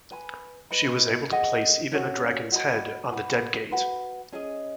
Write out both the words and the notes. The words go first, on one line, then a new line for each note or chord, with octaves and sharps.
She was able to place even a dragon's head on the "Deadgate".
B4 G#5 B5
B4 D#5 B5
G#4 D#5 F#5
C#4 F#4 C#5
F#4 D#5 B5
B4 F#5 B5
F#4 B4 F#5 B5
C#4 G#4 D#5